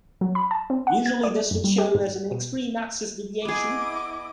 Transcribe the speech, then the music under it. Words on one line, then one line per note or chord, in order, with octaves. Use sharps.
Usually this would show as an extreme axis deviation.
F#3
B5
A5
C4
F#5
G#6
D5
F#2
G3
G4
G#2
B2
B3 E4 G#4 D#5 D6